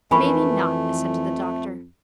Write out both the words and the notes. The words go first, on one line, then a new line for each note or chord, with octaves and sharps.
"Maybe not," assented the doctor.
F2 E3 A3 A#4 B4 G#5 B5 C#6